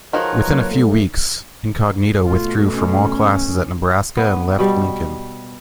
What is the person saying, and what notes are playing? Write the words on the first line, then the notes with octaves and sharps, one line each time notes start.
Within a few weeks, Incognito withdrew from all classes at Nebraska and left Lincoln.
D#3 F3 D#4 F#4 G#4 A#4 B4 C#5
F#3 A#3
A3
B2 A3 F4
C#4
B3
B2 G3